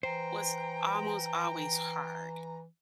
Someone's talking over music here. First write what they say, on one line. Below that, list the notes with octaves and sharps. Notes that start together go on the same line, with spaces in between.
was almost always hard,
E3 C5 G5 A#5